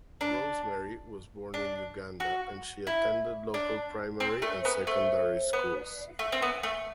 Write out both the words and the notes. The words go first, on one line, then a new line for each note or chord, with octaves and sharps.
Rosemary was born in Uganda and she attended local primary and secondary schools.
D4
D4
F#4
E4
D4
C4
A3
B3
A3
B3
A3
C4
B3
A3